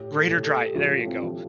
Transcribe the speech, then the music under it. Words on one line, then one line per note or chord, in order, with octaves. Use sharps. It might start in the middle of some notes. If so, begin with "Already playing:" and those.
greater dry, there you go,
Already playing: A2 G4
A4
A2
A4
G4
F3 F4
C4
F3